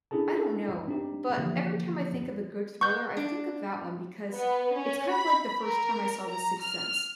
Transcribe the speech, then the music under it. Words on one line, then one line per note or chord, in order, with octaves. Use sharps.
I don't know, but every time I think of a good thriller, I think of that one because it's kind of like the first time I saw The Sixth Sense.
C#4 D4 E4 G#4 A4 A5
C4 D4 D#4 G4
D3 E3 F3 A#3 G4
B3 C#6 G6
D4
B3
C#4
B5
A#4
A#5
F6